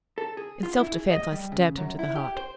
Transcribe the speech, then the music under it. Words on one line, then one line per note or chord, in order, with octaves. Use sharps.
In self-defence I stabbed him to the heart.
A4
G#4
F4
E4
G#4
D#5
G3
C#3
F#2
E4
G4
C5